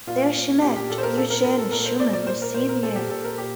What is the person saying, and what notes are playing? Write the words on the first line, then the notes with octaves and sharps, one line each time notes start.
There she met Eugenie Schumann the same year.
A#2 F4
A#2
A#2 G4
G4
A#2 A4
C5
A#4
A#2 A4
A#4
A#2 A#4
A4
A#2 A#4
C5
A#2 D5
D5
A#2 C5
A#4
A#2 C5
A#4
A#2 A4
G4
A#2 A4
A#4
A#2 G4